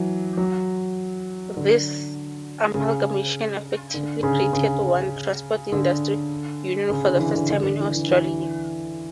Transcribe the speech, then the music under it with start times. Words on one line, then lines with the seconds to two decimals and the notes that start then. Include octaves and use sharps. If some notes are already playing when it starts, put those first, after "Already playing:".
This amalgamation effectively created one transport industry union for the first time in Australia.
Already playing: E3 F#3
0.37 F#3
1.57 D3
2.75 C#3
3.94 D3
4.23 C#3
4.53 C#3
5.72 D3
6.90 C#3
7.06 D3
7.19 E3
7.35 D3
7.50 D3
7.64 D3
7.80 E3
7.94 E3
8.09 E3